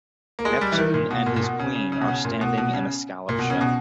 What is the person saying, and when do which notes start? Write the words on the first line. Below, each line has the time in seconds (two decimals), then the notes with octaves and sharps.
Neptune and his queen are standing in a scallop shell.
0.39 A#3
0.45 G#3
0.61 G3
0.72 E3
0.78 D#3
0.94 A#2
1.11 B2
1.26 A#2
1.36 A#2
1.43 B2
1.59 C#3
1.75 C#3
1.92 C#3
2.01 B2
2.08 C#3
2.25 A#2
2.41 B2
2.58 B2
2.74 C#3
3.29 A#2
3.39 B2
3.50 C#3
3.61 B2